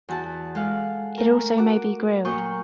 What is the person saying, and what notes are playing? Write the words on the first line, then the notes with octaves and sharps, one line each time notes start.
It also may be grilled.
E2 F#4 A5
G#3 A4 F5 F#5
A3 A#4
F#4 D6
A#2 F#3 C#6 D#6 G6